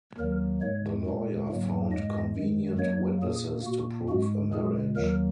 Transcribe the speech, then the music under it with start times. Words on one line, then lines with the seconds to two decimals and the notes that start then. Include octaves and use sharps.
The lawyer found convenient witnesses to prove a marriage.
0.18 D#2 D#3 F#3 A#3 A#4
0.61 G#2 G#3 C#5
1.06 A#2 G#3
1.49 G#2 F#3 A#3
1.92 G#2 G#3 D#5
2.36 F#2 D#3 G#3
2.78 F#2 F#3 A#3 C#5
3.22 A#2 A#3 G#4
3.66 A#2 A#3 F#4
4.09 G#2 G#3 F#4
4.53 A#2 G#3 G#4
4.96 D#2 D#3 F#3 A#3 A#4